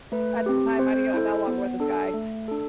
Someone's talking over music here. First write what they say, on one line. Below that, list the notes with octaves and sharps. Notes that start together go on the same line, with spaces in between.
at the time, minding you, I'm no longer with this guy,
A3 B4
C4 G4
C4 C5
E4 A4
B3
D4 A4
A3
D4 A4